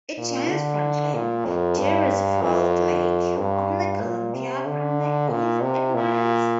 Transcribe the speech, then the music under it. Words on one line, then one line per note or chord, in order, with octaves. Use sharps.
It joins Franklin D. Roosevelt Lake on the Columbia from the east at Miles.
A#2
D3
A#2
F2
G2
F2
G2
A#2
C3
D3
A#2
C3
A#2